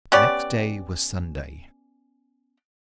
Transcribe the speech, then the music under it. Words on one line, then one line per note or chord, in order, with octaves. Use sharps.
Next day was Sunday.
B3 C#4 G4 D5